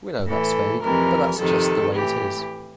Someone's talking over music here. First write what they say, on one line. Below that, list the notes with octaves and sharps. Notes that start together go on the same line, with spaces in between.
We know that's vague, but that's just the way it is.
A2 E3 A4
F2 C3 E3 A#4
F2 C3 D#3 A4
A2 E3 G4